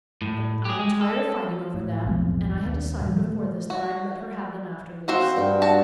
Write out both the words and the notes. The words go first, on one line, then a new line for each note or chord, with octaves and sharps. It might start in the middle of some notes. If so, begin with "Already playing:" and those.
But I am tired of fighting over them and I had decided before this that I'd let her have them after this.
A2
G4 G#4
G#3
A4
A2
B1 F2 A2
D#2
A#2 D#3 F3 G3
A3
F#4
C4 F#4 F5 F#5
G2 G5
F#4 A5